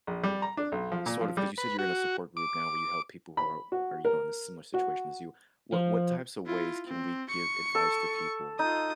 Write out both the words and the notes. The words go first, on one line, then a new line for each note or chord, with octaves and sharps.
sort of 'cause you said you're in a support group now where you help people who are are, you know, in the similar situation as you, what what types of ways can we give advice to people,
A#1
G3
A#5
D4
B1
F3
A#2
F3
G3
B4
F#4
D6
B5
F#4
A#4
F#4
F3
E4 F4
C4
C#6 C#7
A4
D#4 F4 D#6